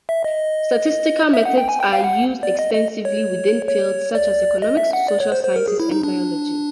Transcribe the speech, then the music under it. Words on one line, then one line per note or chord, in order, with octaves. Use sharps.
Statistical methods are used extensively within fields such as economics, social sciences and biology.
E5
D#5
E5
F#5
G5
G#5
G5
F5
F#5
D5
D#5
D#5
C#5
C#5
D5
D#5
E5
F#5
D5
C#5
C5
C5
A#4
G#4
E4
D#4
D4